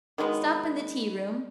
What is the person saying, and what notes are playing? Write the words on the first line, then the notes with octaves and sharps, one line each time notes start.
'Stop in the tea-room.
D#3 F#3 G#3 B3